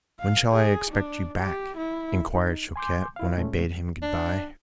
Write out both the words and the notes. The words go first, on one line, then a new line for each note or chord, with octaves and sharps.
"When shall I expect you back?" inquired Choquette, when I bade him good-bye.
F5
G#4
D4
G4
E4
D#4
G#5 C6 D6 G6
E4 F5
A#2 G#3 A3 C#4
D4